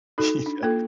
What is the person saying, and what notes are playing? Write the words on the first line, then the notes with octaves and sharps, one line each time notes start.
you know,
D#4 F#4 A4
D4
A#3 F4 A4